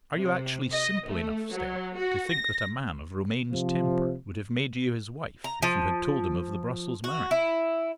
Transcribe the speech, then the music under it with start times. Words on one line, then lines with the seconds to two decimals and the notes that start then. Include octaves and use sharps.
"Are you actually simple enough, Stella, to think that a man of Romayne's temper would have made you his wife if you had told him of the Brussels marriage?"
0.16 C3
0.72 D#5
1.08 A3
1.52 F#3
1.96 F#4
2.29 A#6
3.51 C3 F3
5.44 A#5
5.62 F3
7.04 F#4
7.31 E4